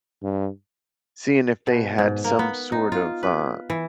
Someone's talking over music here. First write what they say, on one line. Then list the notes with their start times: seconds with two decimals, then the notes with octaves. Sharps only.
seeing if they had some sort of, uh,
0.23 G2
1.67 B2
1.99 G#2
2.24 A#3
2.39 B3
2.72 D#4
2.92 F4
3.23 B4
3.70 E3